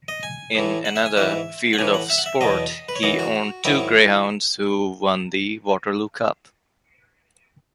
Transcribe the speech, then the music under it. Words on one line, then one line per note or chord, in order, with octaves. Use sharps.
In another field of sport, he owned two greyhounds who won the Waterloo Cup.
D#5
G#5
A2 E3
F#5
E5
G#5
G#2 E3 E5
F#5
A2 E3 G#5
F#5
E5
F#5
E5
E2 B2 F#3 D#5
B4
C#5
F#2 E3 D#5
F#4
G#2 D#3 F#3 E4